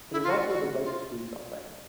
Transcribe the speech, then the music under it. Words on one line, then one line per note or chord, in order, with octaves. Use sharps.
It is also the right to do something.
E4
F4
F#4
F#4
F4